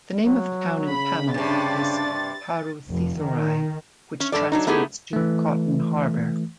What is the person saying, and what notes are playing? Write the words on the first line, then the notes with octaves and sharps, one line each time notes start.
The name of the town in Tamil is 'Paruthithurai', which translates to 'Cotton Harbour'.
F#3
C#3 B5
G2 C3 D4 A6
F1
D#3
C#4
G2 E3 A4 D5
F#3 D4 D#4
A3 B3 D#4 E4 G4 G#4
E3 A3